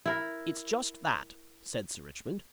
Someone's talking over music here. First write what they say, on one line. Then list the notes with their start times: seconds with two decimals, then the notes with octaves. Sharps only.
"It's just that," said Sir Richmond.
0.06 E4 A#4